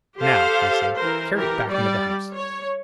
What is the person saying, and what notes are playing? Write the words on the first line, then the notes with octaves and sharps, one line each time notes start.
"Now," I said, "carry it back into the house."
G4 A4 C5 F5
E3 A#4 C5
E3 G4 A#4
G3 D5
C#5